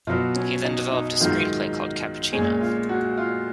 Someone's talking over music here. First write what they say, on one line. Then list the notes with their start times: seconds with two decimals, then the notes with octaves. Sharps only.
He then developed a screenplay called "Cappuccino".
0.07 B2 F#3 F4
0.36 C#4
0.64 D#4
0.92 D#4
1.20 G#2 D#3 F#3 F4
2.32 G#3 C#4
2.37 A#2
2.61 F4
2.89 F#4
3.17 F4